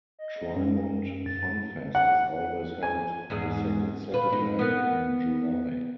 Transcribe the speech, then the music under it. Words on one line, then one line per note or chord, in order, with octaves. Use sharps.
Trimont FunFest is always held the second Saturday in July.
D#5
F#2
F#2
A6
F#5
G#5
E2 G#2 G#4
F4 B4
G#2 D#4
B3 A#4